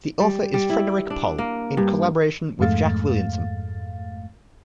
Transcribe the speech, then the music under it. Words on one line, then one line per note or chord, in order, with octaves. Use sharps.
The author is Frederik Pohl, in collaboration with Jack Williamson.
G3
G3
E4
D4
A#3
G2
F2 G#2 G#3 A3 F5 A6